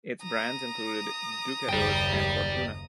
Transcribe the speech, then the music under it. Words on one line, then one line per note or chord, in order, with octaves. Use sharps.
Its brands included Ducados and Fortuna.
A#5 D#6
F#1 D#2 D5 G5